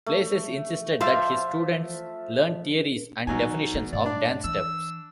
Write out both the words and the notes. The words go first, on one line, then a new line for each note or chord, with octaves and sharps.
Blasis insisted that his students learn theories and definitions of dance steps.
A3
F3 C5 D5 E5 F5 A5
B2 D#3 F#3 B3 D#4 G#5
D#3 A#3
G2 A3 D5
D4
E3 E6